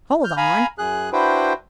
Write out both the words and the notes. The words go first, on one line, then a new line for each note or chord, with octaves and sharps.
Hold on!
F6 G6
F5 G#5 A#5 B5
F#2 G#4 F#6
D4 E4 F#4 B4 C5 G5